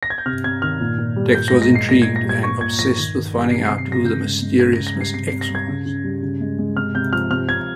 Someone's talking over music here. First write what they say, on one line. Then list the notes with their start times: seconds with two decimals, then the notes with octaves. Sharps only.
Tex was intrigued and obsessed with finding out who the mysterious Miss X was.
0.03 A#6
0.10 G#6
0.18 G6
0.26 C3 F6
0.44 C3 G#6
0.62 D#3 F6
0.80 A#2
0.98 A#2
1.16 G3
1.35 A#2 G6
1.48 A#6
1.53 G#3
1.62 A#6
1.70 G#3 C7
1.88 A#2 A#6
2.02 G#6
2.06 A#2
2.16 A#6
2.25 G3 G#6
2.43 A#2 C#6
2.61 A#2 G#6
2.79 F3 A#6
2.97 D#3
3.15 D#3
3.33 G3
3.51 C3 C7
3.65 C7
3.69 C3
3.78 C7
3.87 G3 A#6
4.05 C#3 G6
4.24 G#3
4.42 G#3
4.60 C#3 G#6
4.73 C#3 A#6
4.87 A#6
4.96 G3
5.01 C7
5.14 C3 C7
5.27 C3 C7
5.41 A#6
5.50 G3 G#6
5.68 C#3
5.86 C#3
6.04 G3
6.22 C#3
6.41 G#3
6.58 G#3
6.76 C3 F6
6.95 C3 G6
7.13 F3 F6
7.31 C3 F6
7.49 C3 G#6